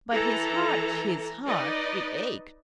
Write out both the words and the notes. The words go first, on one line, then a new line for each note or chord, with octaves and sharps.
But his heart, his heart ... it ached!
E3 A4 A#5
D#4 B4 D5 D#5